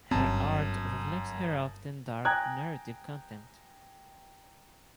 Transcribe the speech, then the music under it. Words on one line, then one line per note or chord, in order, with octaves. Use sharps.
Her art reflects her often dark narrative content.
G1 F#2 C4 A5
G5 G#5 A#5 D#6 F#6 G#6